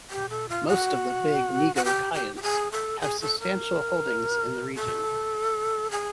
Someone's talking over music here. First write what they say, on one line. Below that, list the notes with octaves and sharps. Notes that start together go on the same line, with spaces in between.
Most of the big negociants have substantial holdings in the region.
G4
A4
F4
F#4
F#4
G4
G4
G4
G#4
A4
G#4
A4
A#4
A4
G#4